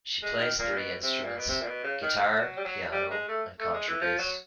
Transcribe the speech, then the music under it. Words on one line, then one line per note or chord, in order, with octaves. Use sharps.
She plays three instruments; guitar, piano and contrabass.
G#3
D#3
A#2
B2
C3
A#2
B2
C3
A#2
B2
C#3
D#3
F#3
G3
F#3
G3
G#3
A3
A3
G#3
E3
F3
F#3